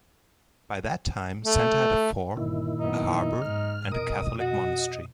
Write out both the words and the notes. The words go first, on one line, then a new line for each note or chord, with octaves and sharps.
By that time Senta had a fort, a harbour and a catholic monastery.
A3
G1 A#2 D#3 E4
F#2 B3 D#4
G#2 F6
F2 B2 A#4 D#5 D#6
F#4 D#5